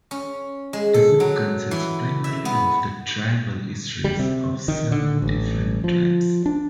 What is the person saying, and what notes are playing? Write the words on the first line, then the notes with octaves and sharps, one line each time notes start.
The book consists primarily of the tribal histories of seven different tribes.
C#4
G#3
A4
F#3
E3
E5
B3
G3
C3
D#3
D3
A1
F3
D4